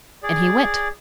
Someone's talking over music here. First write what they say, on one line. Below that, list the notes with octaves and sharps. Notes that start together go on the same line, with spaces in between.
And he went.
G#4 D5